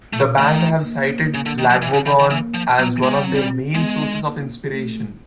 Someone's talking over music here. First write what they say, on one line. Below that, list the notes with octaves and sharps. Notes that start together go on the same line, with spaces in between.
The band have cited Lagwagon as one of their main sources of inspiration.
A3
D#3 A3
A#3
C#3
D3
D#3
F3
E3
C#3
D#3
D#3
E3 A#3
F3
F#3 B3
G#3
G3
F#3 C4
G3
G#3 B3
A#3
A3